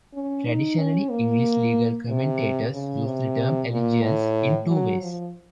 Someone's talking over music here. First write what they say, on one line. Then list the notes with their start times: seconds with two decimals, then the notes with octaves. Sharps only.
Traditionally, English legal commentators used the term "allegiance" in two ways.
0.14 C#4
0.46 D#4
0.79 C#4
1.10 A#3
2.09 C3
2.73 C#3
3.06 C3
3.71 A#2
4.03 A2
4.68 F#3
5.01 F3